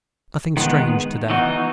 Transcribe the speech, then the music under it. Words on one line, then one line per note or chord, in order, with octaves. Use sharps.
Nothing strange to day.
D#3 G#3 B3
E3 B3 D#4 F#4